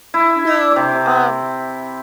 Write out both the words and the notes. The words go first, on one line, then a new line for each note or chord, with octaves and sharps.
No, um,
E4
C3 D6